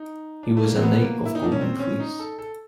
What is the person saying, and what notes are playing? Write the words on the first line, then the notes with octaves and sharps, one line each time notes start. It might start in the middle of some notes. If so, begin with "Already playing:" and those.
He was a Knight of Golden Fleece.
Already playing: D#4
D4
A3
A#3
C4
B3
A#3
E4
D#4
D4
C#4
C4
C#4
D#4
A4
A4